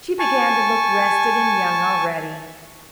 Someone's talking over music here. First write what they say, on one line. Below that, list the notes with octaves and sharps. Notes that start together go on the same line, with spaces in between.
She began to look rested and young already.
G#5 A5 C#6